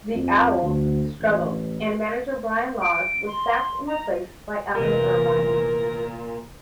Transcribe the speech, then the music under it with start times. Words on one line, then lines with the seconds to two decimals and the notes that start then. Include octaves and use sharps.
The "Owls" struggled, and manager Brian Laws was sacked and replaced by Alan Irvine.
0.15 F2
0.62 D2
1.20 A1
2.82 D7
3.26 C6
3.87 A#5
4.75 F1 A#2 E3 F3 A#4